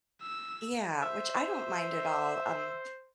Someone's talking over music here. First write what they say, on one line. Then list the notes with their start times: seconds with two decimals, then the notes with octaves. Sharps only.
Yeah, which I don't mind at all, um,
0.22 E6
1.02 C5 E5